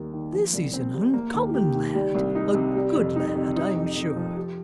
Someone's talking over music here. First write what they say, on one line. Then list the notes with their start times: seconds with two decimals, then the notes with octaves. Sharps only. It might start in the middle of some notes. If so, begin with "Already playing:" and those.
'This is an uncommon lad; a good lad, I'm sure.'
Already playing: D#2 G3 A#3
0.13 D#3
0.33 F3
0.53 C2
0.73 C4
0.94 C3
1.14 A#3
1.34 D#2
1.54 G4
1.75 D#3
1.95 G3
2.15 C2
2.35 D#4
2.55 C3
2.76 G3
2.96 F2
3.16 D#4
3.35 C3
3.56 D#4
3.76 F2
3.96 F2
4.16 F3
4.37 G4